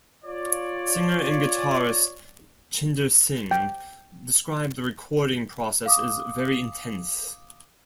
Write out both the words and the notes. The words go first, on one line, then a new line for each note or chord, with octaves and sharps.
Singer and guitarist Tjinder Singh described the recording process as very intense.
F4 C#5 D5
G5
F5 D6 D#6